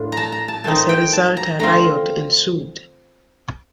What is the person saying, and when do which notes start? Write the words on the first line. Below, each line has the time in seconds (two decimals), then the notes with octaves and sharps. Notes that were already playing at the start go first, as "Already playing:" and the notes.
As a result, a riot ensued.
Already playing: A2 A3 D4 F4
0.12 A5 A#5
0.32 A#5
0.48 A5
0.64 A#2 A3 C4 D#4 A5
0.89 G5
1.13 A5
1.37 A#5
1.59 D3 A3 C4 F4 A#5